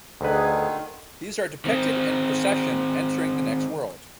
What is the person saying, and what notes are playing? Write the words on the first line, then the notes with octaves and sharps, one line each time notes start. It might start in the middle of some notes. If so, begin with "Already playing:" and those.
These are depicted in procession entering the next world.
D2 D3 D#3 G#4 B4
D#3 C4